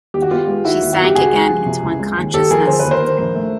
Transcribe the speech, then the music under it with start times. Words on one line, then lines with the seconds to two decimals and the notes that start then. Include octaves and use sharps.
She sank again into unconsciousness.
0.14 D#2 G4
0.22 F#4
0.31 B3 F4 G4
0.48 G#3
0.64 D#3 E4 F#4
0.82 D#2
0.93 F#4
0.99 B3
1.04 G4
1.15 C#2 F#4 G#4
1.33 G#3
1.50 F3
1.66 C3
1.83 C#2
2.00 G#3
2.17 D#2
2.33 D#2 G4 A4
2.50 F3 G#4 A#4
2.67 D3 C5
2.79 B4
2.85 D#2
2.91 A#4 C5
3.01 D#2
3.18 A#1
3.35 A3